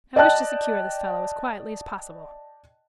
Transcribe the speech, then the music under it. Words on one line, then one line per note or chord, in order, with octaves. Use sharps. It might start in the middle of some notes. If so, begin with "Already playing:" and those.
I wish to secure this fellow as quietly as possible.
D5 D#5 G5 A5 F#6